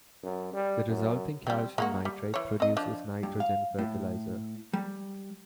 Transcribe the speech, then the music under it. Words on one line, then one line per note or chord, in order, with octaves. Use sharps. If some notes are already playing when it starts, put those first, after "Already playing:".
The resulting calcium nitrate produces nitrogen fertilizer.
F#2
G3
F#2
G3 C4
G#3 A#3 F#4
G3
E3 C#5
C4 D#5
F3 D4
G2
F5
A2
G3